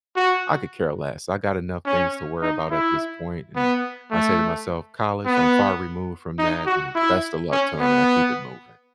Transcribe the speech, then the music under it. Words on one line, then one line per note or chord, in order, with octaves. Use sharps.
I could care less. I got enough things to worry about at this point, and I say to myself, "College, I'm far removed from that, and best of luck to 'em," and I keep it moving.
F#4
C#4
D#4
E4
B3
A3
B3
D#4
F#4
E4
C#4
B3